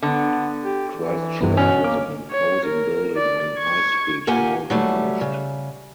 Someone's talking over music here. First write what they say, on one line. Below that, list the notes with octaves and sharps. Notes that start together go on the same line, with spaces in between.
Christ Church was an imposing building on High Street, now demolished.
D3 B3
G4
E3
G2 C3 E3 B3
B2 C#4
A#3 D6 F6
C#5
A#4
D5
C#6 G#6
A#2 A#3 G4 F#5 G#5
F#3 G3 A3
C#3